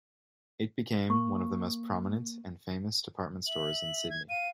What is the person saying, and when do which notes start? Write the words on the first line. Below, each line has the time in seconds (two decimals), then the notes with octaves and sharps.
It became one of the most prominent and famous department stores in Sydney.
1.10 A#3 C#6
3.46 E5 F#7
4.10 G#6
4.29 F5 D#7